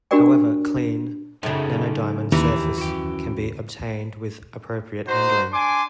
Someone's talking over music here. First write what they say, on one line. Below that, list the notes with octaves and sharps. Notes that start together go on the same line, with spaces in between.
However, clean nanodiamond surface can be obtained with appropriate handling.
D4 F#4 G4 A#4 D5 G5
F#2 C#3 D#4 A4 G5
D#2 E3 G4 A#5
F#4 G5
D#4 F#4 C5
D4 G#5 C6 D6